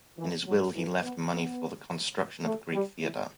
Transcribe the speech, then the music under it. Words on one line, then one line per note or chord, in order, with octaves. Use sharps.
In his will he left money for the construction of a Greek theatre.
E3
F#3
E3
B3
B3
A3
G3
E3